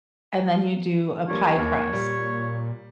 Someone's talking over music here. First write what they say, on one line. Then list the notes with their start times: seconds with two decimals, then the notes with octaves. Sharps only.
and then you do a pie crust
1.28 F3 G3 A#3 C#5
1.56 D#2 A#3
1.93 A#2 G3